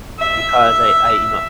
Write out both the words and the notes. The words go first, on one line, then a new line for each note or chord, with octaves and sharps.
because I I you know,
E5